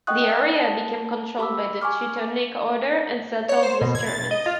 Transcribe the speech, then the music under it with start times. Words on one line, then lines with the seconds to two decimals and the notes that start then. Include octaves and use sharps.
The area became controlled by the Teutonic Order and settled with Germans.
0.07 D#5 F#5 G5 C#6 D#6 F#6
0.56 A5
1.39 G4 B5 D6 E6
1.82 G#5 C#6 D6 F6
3.49 C#5
3.63 C5
3.81 B2
3.95 G#6
4.06 A6
4.31 D#5
4.46 F4